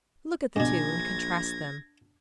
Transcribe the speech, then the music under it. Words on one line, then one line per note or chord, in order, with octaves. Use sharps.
Look at the two, and contrast them.
A#1 G#2 B2 D4 G#5 G#6 A#6